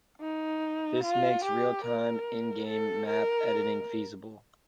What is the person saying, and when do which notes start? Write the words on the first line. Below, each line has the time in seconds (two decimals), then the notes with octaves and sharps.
This makes realtime in-game map editing feasible.
0.20 D#4
1.03 F4
1.45 G4
1.85 A#4
2.67 A4
3.08 A#4